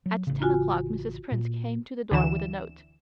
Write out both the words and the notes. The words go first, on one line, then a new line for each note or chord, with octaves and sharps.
At ten o'clock Mrs. Prince came to the door with a note.
F#3
A1 C#3
F4 F#4 G#5
A#2
D2 D3 E3 E7